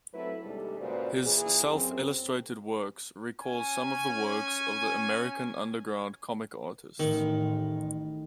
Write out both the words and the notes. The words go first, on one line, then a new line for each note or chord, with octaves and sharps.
His self-illustrated works recall some of the works of the American underground comic artists.
F#3 A3 C4 E4 A4 B4
D#2 C3 G3 G#3 D4 A4
A#2 C#3 F#4 B4 C5 D5
A#2 E3 A#3 G#4
F#2 C4
C#4 G#5
A1 D#3